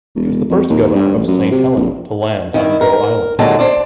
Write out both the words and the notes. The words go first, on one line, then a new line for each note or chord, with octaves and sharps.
He was the first Governor of Saint Helena to land on Gough Island.
E1
F2
D#2
G2
A1
F#2
C3
A#1
D#3 E4
A#4
D#2 A#2 D3 F#3 G#3 A5
D4 C5 D5